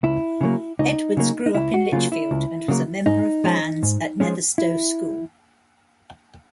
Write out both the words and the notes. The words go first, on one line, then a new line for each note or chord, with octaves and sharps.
Edwards grew up in Lichfield, and was a member of bands at Netherstowe School.
C#2 E4
C#3 F#3 A#3
C#2 D#4
C#3 F#3 A#3
D#4
C#2 E4
F#4
C#3 F#3 A#3 F4
E4
C#2
C#3 F#3 A#3
G#2 D#4
F3 G#3 C#4
G#2
F3 G#3 C#4
E4